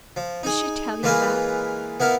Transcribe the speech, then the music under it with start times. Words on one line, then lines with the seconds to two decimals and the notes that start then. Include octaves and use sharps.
"Did she tell you that?"
0.17 F3
0.43 D#4 G#4
1.03 E3 G#3 A#3 F4 A#4 B4
2.00 B3 E4 A#4 F5